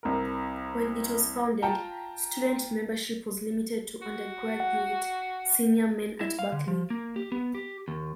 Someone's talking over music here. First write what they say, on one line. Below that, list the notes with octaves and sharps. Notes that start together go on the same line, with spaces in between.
When it was founded, student membership was limited to undergraduate senior men at Berkeley.
C2 A#4
F4 G5 A5 A#5
F#4
F#5
E4
F5
D3
F3
A#3
G4
B3
G4
D#2